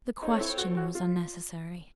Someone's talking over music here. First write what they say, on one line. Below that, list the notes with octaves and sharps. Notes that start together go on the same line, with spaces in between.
The question was unnecessary.
C4 D#4 F4 A4 C#5
E4
F#4
F#4
F4